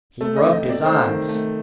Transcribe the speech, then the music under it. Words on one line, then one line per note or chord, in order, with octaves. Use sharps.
He rubbed his eyes.
A3 A4
D#5
C3
D#5
C3
D5
A3 C5
D#3
A3